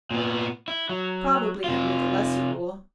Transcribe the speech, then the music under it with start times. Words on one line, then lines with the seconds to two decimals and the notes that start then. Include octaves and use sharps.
"Probably under the Lesser Rule."
0.11 A#2 B3
0.68 E4
0.89 F#3
1.64 C3 F4